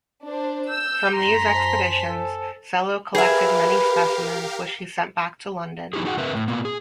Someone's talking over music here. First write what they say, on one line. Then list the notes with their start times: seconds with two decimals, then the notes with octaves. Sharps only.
From these expeditions Sellow collected many specimens which he sent back to London.
0.25 D4 C5
0.70 E6 G6
1.14 F#2 A#5 C6 B6
1.54 C5 G#5 A5
2.10 A4
3.15 G4 G#4 A#4 B4 E5 F5
5.93 F3 D#4 E4 G4 G#4
6.05 D#4 F#4 G#4 F#5
6.17 C#3 C4 A#4 B4 E5
6.35 A2
6.48 A#2 A#3 B3
6.65 G#4